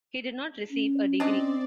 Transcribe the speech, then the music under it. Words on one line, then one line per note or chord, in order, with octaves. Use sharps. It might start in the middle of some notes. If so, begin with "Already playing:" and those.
He did not receive a degree.
C#4
C4 D4 G#4 D5 D#5